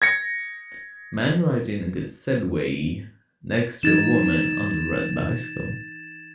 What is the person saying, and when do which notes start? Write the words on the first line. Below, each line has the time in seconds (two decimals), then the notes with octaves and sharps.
Man riding a Segway next to a woman on a red bicycle.
0.02 G#6 A#6 C#7
3.83 E3 D#4 G#6 A6 E7